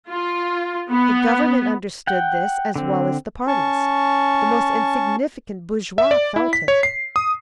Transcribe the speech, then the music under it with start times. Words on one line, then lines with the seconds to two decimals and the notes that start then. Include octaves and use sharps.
The Government understood this as well as the parties; the most insignificant bourgeois felt it.
0.10 F4
0.91 B3
2.07 F#5 G5
2.76 D3 C4
3.47 C#4 A5 C#6
5.98 E5
6.11 D5
6.36 E4
6.53 B6
6.68 C#5
6.83 C7
7.16 D#6